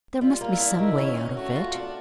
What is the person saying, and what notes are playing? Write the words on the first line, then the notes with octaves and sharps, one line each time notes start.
There must be some way out of it.
G3 F4
A#3
E4
D4
D#3 E4
C#4
C#4
A3 F#4
F4
D4